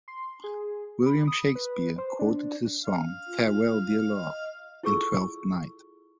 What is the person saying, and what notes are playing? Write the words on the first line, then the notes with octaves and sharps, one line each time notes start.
William Shakespeare quoted his song, 'Farewell, dear love', in Twelfth Night.
C6
G#4
B5
D#6
B4
C5
D4
C#4 F5
F4
D#5
E4 F4 G#4 A4 C#6 E6